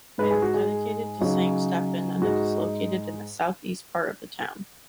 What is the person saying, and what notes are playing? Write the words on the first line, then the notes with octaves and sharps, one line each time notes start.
It is dedicated to Saint Stephen, and it is located in the southeast part of the town.
G#2 G#3 D#4 B4
G#4
F#4
G#4
C#3 F#3 D#4
G#2 G#3 D#4 F#4